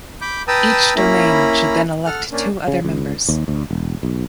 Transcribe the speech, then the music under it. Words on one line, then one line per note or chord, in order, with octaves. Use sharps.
Each domain should then elect two other members.
B5 D6 G6
B4 G5 A5 A#5 D#6 E6
A#3 C#4 E4 A#5 B5
A4 F#5 F6
A#3 C#4 D4
C#3
C#2
D#2
D2
E1
B1